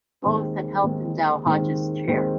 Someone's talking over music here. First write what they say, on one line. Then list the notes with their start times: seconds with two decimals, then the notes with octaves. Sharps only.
Both had helped endow Hoge's chair.
0.22 D#2 D#3 G#3 C4
0.83 D#2 D#3 G#3 C4
1.46 D#2 D#3 G#3 C4
2.08 D#2 D#3 G#3 C4